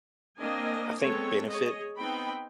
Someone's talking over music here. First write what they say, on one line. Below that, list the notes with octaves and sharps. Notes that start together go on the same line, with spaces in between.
I think, benefit
A#3 C4 D4 A#4 D#5 G#5
G#3 B3 C4 A4 C#5
G#4 C#5 D#5
B3 C4 D#4 G5 B5